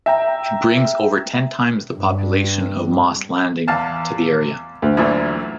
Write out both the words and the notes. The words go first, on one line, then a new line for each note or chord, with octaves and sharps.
It brings over ten times the population of Moss Landing to the area.
E5 G5 A#5
G2
E2 F5 A5
D2
F#2 A#2 E3